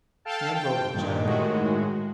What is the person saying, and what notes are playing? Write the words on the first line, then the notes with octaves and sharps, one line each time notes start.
He unrolled the jacket.
A4 F5 G5 A5
G5
G2 A#2 D#3
A2 D#3 G#3 F#4